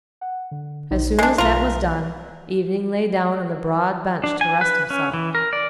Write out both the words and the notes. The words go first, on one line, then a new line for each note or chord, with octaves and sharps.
As soon as that was done, Evening lay down on the broad bench to rest himself.
F#5
D3
A#1 D#4 C5
G#3 D4 A#4
B1 F4 A#4
D4
G#5
B4
C#4
E3
A#4
D5